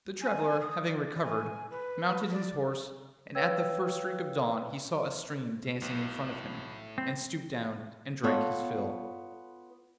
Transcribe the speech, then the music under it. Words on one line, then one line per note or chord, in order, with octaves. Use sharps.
The traveller having recovered, mounted his horse, and at the first streak of dawn he saw a stream dancing in front of him, and stooped down and drank his fill.
G#5
D#6
D5
G#5
B4
D5
B4 C#5 F5 G5 E6 G#6
B1 A2
C4
B3 F4 A4 C#5